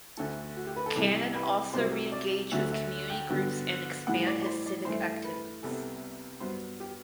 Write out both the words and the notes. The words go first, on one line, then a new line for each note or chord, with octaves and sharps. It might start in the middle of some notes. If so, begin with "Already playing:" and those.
Cannon also reengaged with community groups and expanded his civic activities.
D2 D3 A3 A4
F#4
G4
B4
A4
C2 C3 E3 G3
B4
C2 C3 F#3 C5
D5
D2 D3 F#3 A3 E5
E5
G5
G2 D3 F#3 B3
A2 E3 G3 F#5
D5
D5
C5
D5
G2 E3 A3 C5
B4
C2 C3 G3 B3 A4
G2 F#3 B3 C5
G4